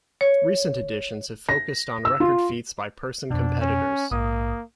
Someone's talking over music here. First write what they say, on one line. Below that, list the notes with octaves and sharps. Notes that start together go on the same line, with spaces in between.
Recent editions have focused on record feats by person competitors.
C#5
A#6
E6
F4
F2 B2 D4
C#4
A#1 G#2 A#3 D#6